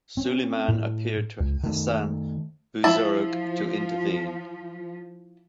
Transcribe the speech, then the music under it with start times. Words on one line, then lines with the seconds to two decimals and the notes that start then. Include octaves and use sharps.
Suleiman appealed to Hasan Buzurg to intervene.
0.17 C4 C#4
0.68 A2
1.40 C#2
1.63 D#3 A3
2.84 F3 E4 A5